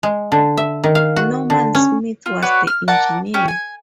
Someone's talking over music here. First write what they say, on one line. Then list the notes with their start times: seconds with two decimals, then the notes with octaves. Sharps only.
Norman Smith was the engineer.
0.03 G#3
0.32 D3
0.57 E5
0.84 D#3
0.95 F5
1.16 F#4
1.50 D3
1.75 C#4
2.26 F4
2.42 F#4 B4 C#5 D5
2.67 F6
2.88 A#4 D5 F#5 A5
3.34 C#4 G4
3.48 G#5